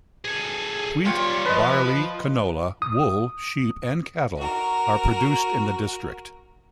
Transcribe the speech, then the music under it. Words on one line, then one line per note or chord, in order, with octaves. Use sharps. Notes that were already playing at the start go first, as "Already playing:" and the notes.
Wheat, barley, canola, wool, sheep and cattle are produced in the district.
G#4 A4
G3 F4 C#5 G5
F3 B4 D#5
D#6
F#4 A#4